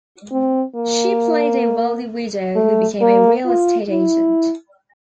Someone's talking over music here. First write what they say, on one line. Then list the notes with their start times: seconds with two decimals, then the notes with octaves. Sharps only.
She played a wealthy widow who became a real estate agent.
0.32 C4
0.76 A#3
2.56 A3
3.01 A#3
3.45 F4
3.90 E4